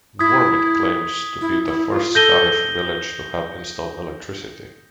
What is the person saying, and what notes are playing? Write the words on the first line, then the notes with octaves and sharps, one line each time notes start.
Wormit claims to be the first Scottish village to have installed electricity.
E4 D#6 G#6 B6
E4
E4
F4
A4 G6 A#6 D#7 G7